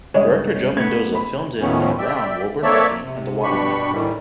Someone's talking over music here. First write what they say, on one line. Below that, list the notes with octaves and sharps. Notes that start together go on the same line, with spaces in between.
Director Joe Mendoza filmed in and around Woburn Abbey and the Wildlife Park.
C#2 G2 G#3 C#5 D#5
A3 B3 G#6
B5
D#2 A2 D#3 F3 B3 C#4
D5 E5 G5
A#3 C4 A4 C#5 D5 E5
C3
G2 B2 D4 G4 B5 C#6
A2 D#3 E3 G3